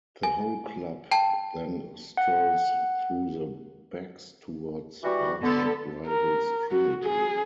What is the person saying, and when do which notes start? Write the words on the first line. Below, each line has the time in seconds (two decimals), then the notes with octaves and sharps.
The whole club then strolls through the backs towards arch-rivals Trinity.
0.23 G#5
1.11 G5 A5
2.17 F#5
5.03 E3 G3 F#4
5.42 D3 B3 A4
6.07 A#4
6.71 F#4
7.05 G#4